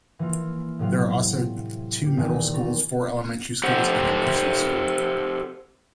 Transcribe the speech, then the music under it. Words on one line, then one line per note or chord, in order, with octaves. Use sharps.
There are also two middle schools, four elementary schools, and a nursery school.
E3 A#3 F4
A2 C3 F#3 F5
A#3 G4
D#1 A#2 E3 G#5 D7
A#5 C#6 A6
G4 A4 C5 F#5